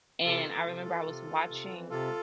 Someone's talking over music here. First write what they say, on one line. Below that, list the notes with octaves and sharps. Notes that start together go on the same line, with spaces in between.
and I remember I was watching
C3 F4 A4
E3
C3
E3
C3
E3
C3
E3
C3 F4 A4